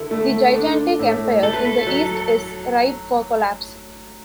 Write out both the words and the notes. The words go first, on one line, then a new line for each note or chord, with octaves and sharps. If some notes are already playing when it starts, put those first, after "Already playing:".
The gigantic empire in the East is ripe for collapse.
Already playing: D3 E4 A4
A3
D4
A2
A3 A4
B4
A4
F#3